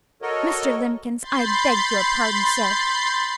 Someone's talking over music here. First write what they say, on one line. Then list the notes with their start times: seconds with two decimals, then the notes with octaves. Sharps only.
'Mr. Limbkins, I beg your pardon, sir!
0.22 F#4 A4 A#4 C#5 D#5
1.22 B5 C6 G6 A6 C7